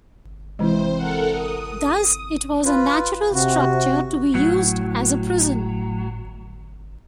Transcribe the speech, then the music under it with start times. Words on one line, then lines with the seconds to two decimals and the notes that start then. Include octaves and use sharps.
Thus it was a natural structure to be used as a prison.
0.59 C3 E3 G#3 C4 E4 C5
0.96 A4 A#4 F#5
1.31 D#6
2.66 F4 B4
3.34 C3 F#4
4.34 A2 F#3